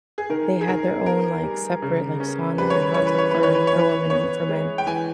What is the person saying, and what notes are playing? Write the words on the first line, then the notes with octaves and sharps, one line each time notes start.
they had their own, like, separate, like, sauna and hot tub for for women and for men.
G#4
D#3 A#4
G#4
D#3 A#4
B3 A#4
G3
C#3
C#4
G3 B4
C#5
B4
E3 C#5
B4
C#5
E3 B4
C#5
B4
C#5
E3
B4
B3 C#5
G#3
G5
E3 G#5